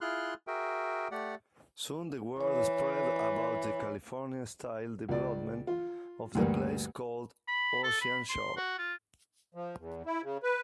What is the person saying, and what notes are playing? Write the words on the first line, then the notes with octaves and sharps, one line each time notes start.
Soon the word spread about the California-style development of the place called Ocean Shores.
E4 F4 G#4 C6 F6 F#6
F#4 G#4 A#4 E5 G5
A3 G4 D5 F#5
E3 C#5
C#2 D5
F4
D2 G2 A#3
B5
A4
B5
C6
F#4
F4
F3
E2
E4
C#3
B4